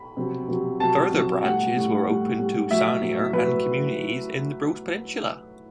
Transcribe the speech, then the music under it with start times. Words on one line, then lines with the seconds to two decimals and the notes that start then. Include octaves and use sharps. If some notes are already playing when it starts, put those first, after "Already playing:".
Further branches were opened to Sarnia and communities in the Bruce Peninsula.
Already playing: B5
0.17 C3 F#3
0.48 C3 F#3
0.80 C3 F#3 A5
1.12 C3 F#3
1.44 A2 G3 F#5
1.75 A2 G3
2.07 A2 G3
2.39 A2 G3
2.70 A2 F#3 E5
3.02 A2 F#3
3.33 A2 F#3 B4